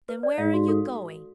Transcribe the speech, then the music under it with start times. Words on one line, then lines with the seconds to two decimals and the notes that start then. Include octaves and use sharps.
"Then where are you going?"
0.09 B4
0.23 D5
0.38 G#2 F5
0.54 F#4
0.68 A4